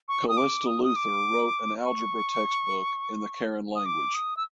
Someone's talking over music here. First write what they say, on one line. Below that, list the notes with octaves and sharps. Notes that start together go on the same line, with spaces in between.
Calista Luther wrote an algebra textbook in the Karen language.
C#6
D#6
D6
D#6
D#6
D6
C#6
D#6
D6
D#6
E6